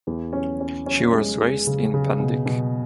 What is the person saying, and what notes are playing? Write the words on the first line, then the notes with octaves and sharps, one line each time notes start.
She was raised in Pendik.
E2
C#4
C#4
C#4
G#3
G#3
C#3
C#3
B2
B2